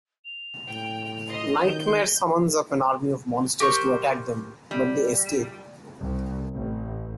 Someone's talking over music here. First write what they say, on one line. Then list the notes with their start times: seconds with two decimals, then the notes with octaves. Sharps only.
Nightmare summons up an army of monsters to attack them, but they escape.
0.25 F7
0.68 A2 G5
1.29 D#5 C6
1.64 D#3 G6
3.60 G4 A#4 C5 C#6
4.71 G3
5.99 C2
6.55 A1